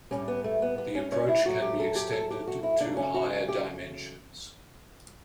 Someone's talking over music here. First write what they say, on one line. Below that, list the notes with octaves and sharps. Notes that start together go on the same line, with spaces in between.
The approach can be extended to higher dimensions.
A2 G3 C#4
B3
A3
B3
B3
C#4
C#4
E4
A2 F#3 A3 F#4
G4
A4
G4
A4
G4
F#4
E4
C#3 F#3 A3 D4
C#4
F#4
G4